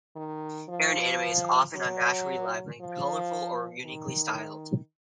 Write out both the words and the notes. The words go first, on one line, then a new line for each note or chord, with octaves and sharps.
Hair in anime is often unnaturally lively and colorful or uniquely styled.
D#3
F3
F#3
F3
D#3